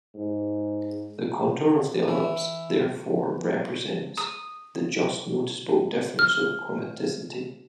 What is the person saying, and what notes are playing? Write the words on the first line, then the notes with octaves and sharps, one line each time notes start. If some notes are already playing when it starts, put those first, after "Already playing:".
The contour of the ellipse therefore represents the just noticeable differences of chromaticity.
G#2
E3
D#6
F6